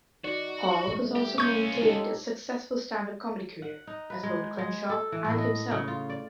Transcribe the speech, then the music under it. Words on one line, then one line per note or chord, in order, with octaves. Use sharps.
Hall has also maintained a successful stand-up comedy career, as both Crenshaw and himself.
D#4 F#4 D5
B2 G3 A3
G4
C#4 F4 C#6 G6
D#4 G4 A4
F#5
D#4
B4
G#3
G#3
A4
E3
A2
D#5
C#3
F4
D5